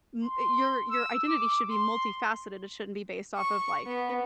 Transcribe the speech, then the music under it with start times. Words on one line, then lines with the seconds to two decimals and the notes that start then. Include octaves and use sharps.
m eh your your identity should be multifaceted it shouldn't be based off of, like,
0.23 C6
0.91 E6
1.28 D6
1.70 C6
3.37 C#6
3.86 B3